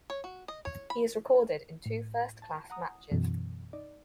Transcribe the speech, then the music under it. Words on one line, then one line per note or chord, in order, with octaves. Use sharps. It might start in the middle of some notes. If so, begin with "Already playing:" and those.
He is recorded in two first-class matches.
C#5
F#4
D#5
C#5
B5
A2
A5
F#5 A#5 D#6
F#2 B2 E3
D#4 D5